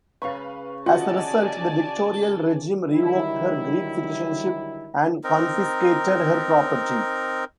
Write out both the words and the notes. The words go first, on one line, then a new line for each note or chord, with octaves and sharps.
As a result, the dictatorial regime revoked her Greek citizenship and confiscated her property.
C#3 B4 F5 B5 C#6
F4 F#4 D5 D#5 F#5 G#5 A5
D3 D#3 F#3 G3 E4
C4 D#4 A#4